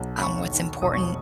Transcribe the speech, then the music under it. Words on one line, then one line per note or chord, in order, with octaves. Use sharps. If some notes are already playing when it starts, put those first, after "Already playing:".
um, what's important
Already playing: B1
B5
D#2 C#6
D#3
E1 D#6
C#6